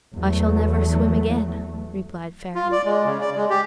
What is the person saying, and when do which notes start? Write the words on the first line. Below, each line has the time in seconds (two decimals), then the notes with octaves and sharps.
"I shall never swim again," replied Faria.
0.15 E2 F#3 A3
2.55 F4
2.72 D5
2.85 G#3
3.05 C#3
3.21 D5
3.36 G#3
3.50 G4